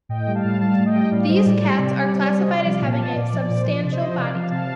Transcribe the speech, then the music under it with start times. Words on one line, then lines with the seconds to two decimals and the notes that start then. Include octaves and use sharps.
These cats are classified as having a "substantial" body type.
0.09 A2 D#5 G5
0.27 G3
0.35 F5 A5
0.44 A2
0.60 G3 F5 A5
0.78 A2
0.86 D#5 G5
0.95 G3
1.11 A2 D5 F5
1.29 G3 C5 D#5
1.46 A2 D5
1.63 G3
1.79 C3
1.96 G3
2.02 D5
2.13 C3 C5
2.26 G3 D5
2.39 C5 D#5
2.48 C3 D5 F5
2.64 F3 D5 F5
2.81 A#2
2.89 F5 A5
2.98 F3
3.07 D#5
3.15 A#2 D5
3.33 F3
3.41 D5
3.50 A#2
3.56 C5
3.66 F3 D5
3.84 C3
3.92 C5 D#5
4.00 F3
4.17 C3 D5 F5
4.34 F3 F5 A5
4.51 C3 F5 A5